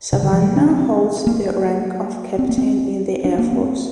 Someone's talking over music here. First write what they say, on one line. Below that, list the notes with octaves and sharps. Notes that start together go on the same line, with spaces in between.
Savannah holds the rank of captain in the Air Force.
C3
D3
F3
G3
D4
C4
A#3
C4
A#3
C4
D4
A#3
C4